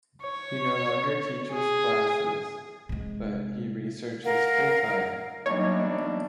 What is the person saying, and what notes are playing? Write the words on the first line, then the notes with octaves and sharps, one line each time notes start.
He no longer teaches classes, but he researches full-time.
C#5
G#4
C3 G#3
A#4 F5 F#5
B2 E3 F#3 G3 A#3 D4 D#4 C#5